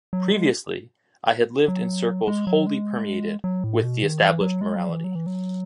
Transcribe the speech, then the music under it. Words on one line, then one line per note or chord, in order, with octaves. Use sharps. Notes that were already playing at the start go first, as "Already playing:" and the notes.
Previously, I had lived in circles wholly permeated with the established morality.
F#3
G#3
F#3
G#3
F#3
G#3
F#3
A2
B2
D#3
E3
F#3
G#3
F#3
E3
F#3
E3
F#3